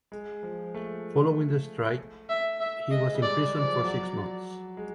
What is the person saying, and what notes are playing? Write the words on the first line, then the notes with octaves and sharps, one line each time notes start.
Following the strike he was imprisoned for six months.
G#3
F3
A3
E5
E5
G#3 D#5
G3
D5
G#3
D5
F3
F#3
G#3